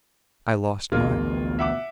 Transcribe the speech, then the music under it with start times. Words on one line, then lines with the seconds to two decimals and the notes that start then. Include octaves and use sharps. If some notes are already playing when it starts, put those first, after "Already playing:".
"I lost mine."
0.92 A1 D2 B2 G#3 A#3 F4
1.59 E5 F#5 D6